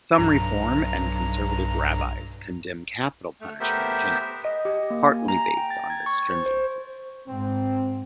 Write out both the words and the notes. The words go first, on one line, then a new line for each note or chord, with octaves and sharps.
Some Reform and Conservative rabbis condemn capital punishment generally, partly based on this stringency.
B1 G2 A#5
A3
A3 B3 G4 A#4 C5 E5
D#5
G4
A#3
G#5
A#5
G5
A6
G#6
C#6
C5
C5
G#2 C4